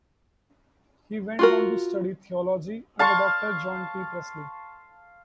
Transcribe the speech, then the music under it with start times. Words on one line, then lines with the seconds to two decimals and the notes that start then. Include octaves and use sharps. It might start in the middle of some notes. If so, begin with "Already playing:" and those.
He went on to study theology under Doctor John T. Pressly.
1.39 F4 F#4 A#4
2.99 F5 A5 C6 C#6